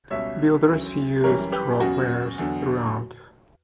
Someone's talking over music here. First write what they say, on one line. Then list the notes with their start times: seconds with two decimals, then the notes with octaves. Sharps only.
Builders used rock layers throughout.
0.10 C#2 B2 G3 C#5 E5
0.68 D2 C#3 F#3
1.24 F#2 E3 G3 A#4 C#5
1.52 G4 B4
1.80 E2 C#3 F#3 F#4
2.38 E2 D3 F#3